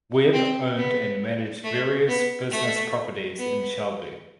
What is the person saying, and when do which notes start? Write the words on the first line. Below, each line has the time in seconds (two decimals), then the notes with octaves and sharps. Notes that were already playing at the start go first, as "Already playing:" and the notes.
Webb owned and managed various business properties in Shelby.
0.33 C4
0.77 B3
1.64 A3
2.08 B3
2.51 A3
3.38 B3